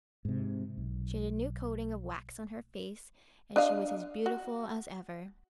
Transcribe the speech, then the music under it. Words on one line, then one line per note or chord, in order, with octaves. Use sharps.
She had a new coating of wax on her face and she was as beautiful as ever.
G#2 C3
B1
D4 D#5 F5
F#4